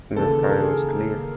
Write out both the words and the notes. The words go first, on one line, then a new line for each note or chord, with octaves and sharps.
The sky was clear.
D#2 C#3 E3 A4
A#4
A4
G#4